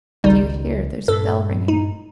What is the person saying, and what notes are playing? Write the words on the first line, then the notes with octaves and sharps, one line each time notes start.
Do you hear, there's a bell ringing?
G#1 C#2 G3 D#4
G2 A#2 A4
D#4